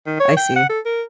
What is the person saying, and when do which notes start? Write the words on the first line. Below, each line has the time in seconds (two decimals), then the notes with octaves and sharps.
I see.
0.07 D#3
0.20 C#5
0.37 G5
0.56 F#5
0.69 A4
0.85 A#4